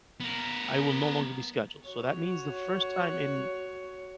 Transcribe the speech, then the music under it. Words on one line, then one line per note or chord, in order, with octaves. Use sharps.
I will no longer be scheduled. So, that means the first time in
B3 A#4
F#4 C#5